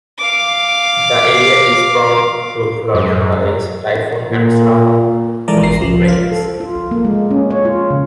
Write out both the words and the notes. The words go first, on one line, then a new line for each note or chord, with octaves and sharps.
The area is prone to flooding by typhoons and strong monsoon rains.
F5 D6
F#2
A#2
E3 G#3 A4 A#4 D5
G#1 E3 A#5 C7
C#2 F3
F4 C5
A4
F4
A#3
G#3
C#4
C#5
F4
C#3